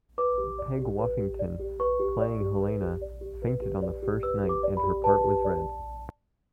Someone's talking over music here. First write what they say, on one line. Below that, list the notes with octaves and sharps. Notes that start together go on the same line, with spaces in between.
Peg Woffington, playing Helena, fainted on the first night and her part was read.
B4 D6
G4
D5
G4
B4
G4
D5
G4
B4 C#6
G4
D5
G4
B4
G4
D5
G4
B4
G4
D5
G4
B4 E6
G4
D6
D5
B5
G4
B4 A5
G4
D5